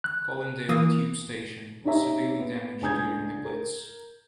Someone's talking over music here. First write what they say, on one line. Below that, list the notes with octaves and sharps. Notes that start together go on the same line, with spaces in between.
Colindale tube station was severely damaged during The Blitz.
F#6
E3 A#3 D#6
C#4 D#4 G4 C#5 E5 A#5
B3
C#2 D4 G#5 D#6 G6 G#6
A#4